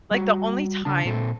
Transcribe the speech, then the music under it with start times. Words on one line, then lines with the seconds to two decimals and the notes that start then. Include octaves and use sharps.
Like, the only time
0.11 G3 F#4
0.85 C#3 D4 A5
1.05 A#2 C4 A4